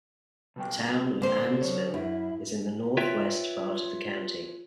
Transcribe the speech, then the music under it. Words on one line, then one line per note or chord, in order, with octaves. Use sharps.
The Town of Annsville is in the northwest part of the county.
B2 G3 G5
D3 A#3 C4 C5
F#2 C#5
F#2 E4
F4 B4 C#5 E5 G5